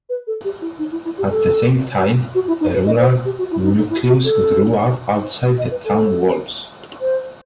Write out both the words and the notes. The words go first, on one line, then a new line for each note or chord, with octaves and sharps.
At the same time, a rural nucleus grew up outside the town walls.
B4
A4
G4
E4
D#4
E4
E4
G4
A4
F#4
E4
D#4
B4
D#5
C5
G4
F#4
E4
D#4
D#4
E4
F#4
A4
D#5
B4
A4
C5